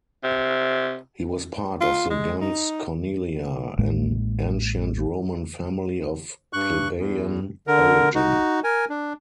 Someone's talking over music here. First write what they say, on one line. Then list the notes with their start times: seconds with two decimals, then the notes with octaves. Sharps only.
He was part of the gens Cornelia, an ancient Roman family of plebeian origin.
0.24 C3
1.81 F4
2.10 G#3
2.41 D#4
3.79 A1 A2 G#3 A#3
6.53 G2 C#6 F#6
6.98 E2
7.67 D3 A#4
8.15 D#4 F#4
8.64 A#4 G#5
8.89 D4